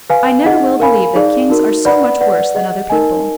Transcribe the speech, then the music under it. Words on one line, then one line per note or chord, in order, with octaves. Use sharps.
I never will believe that kings are so much worse than other people.
B4 F5 G#5
D#4 G#4 D#5 F#5
A#4 F5 G#5 B5
D#4 G#4 D5 F5
D#4 F#4 A#4
B4 D5 F#5 B5
B4 D5 F#5
G#4 D#5 F#5
D#4 A#4 D#5 G#5